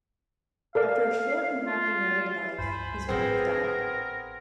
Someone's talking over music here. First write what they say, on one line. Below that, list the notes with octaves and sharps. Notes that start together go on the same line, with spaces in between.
After a short and happy married life, his wife died.
A4 A#4 D5 F5
F4
C#2 G2 C5 G#5 B5
G#1 A2 F#3 B3 C4 G#4 A#4